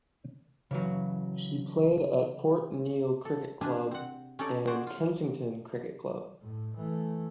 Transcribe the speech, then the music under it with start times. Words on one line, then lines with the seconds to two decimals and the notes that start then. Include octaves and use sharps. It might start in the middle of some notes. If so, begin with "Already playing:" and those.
She played at Port Neill Cricket Club and Kensington Cricket Club.
0.71 C#3 E3 F#3
3.25 A4
3.61 C3 D4 E4 F4 G#4 B4
3.91 C4 F#5
4.39 C#4 D#4 A4 D5
4.67 F#4 G#4 C5 D5
4.87 F4
6.41 A2
6.76 E3 A3